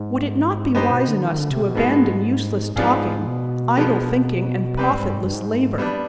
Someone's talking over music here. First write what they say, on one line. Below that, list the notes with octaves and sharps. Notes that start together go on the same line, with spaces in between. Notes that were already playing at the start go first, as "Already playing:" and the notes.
Would it not be wise in us to abandon useless talking, idle thinking, and profitless labour?
Already playing: G#2
G2 B3 D#4 G4 C5
B2
D3
D#3
D3
C3
B2
G#2 B2 G#3 B3
G#2 F3 B3 D4 F4 G#4
B2
D3 F3 G#3 B3
C3 G3 C4 G4 B4
G#2
G2
G#2
G2
G#2
G3 B3 D4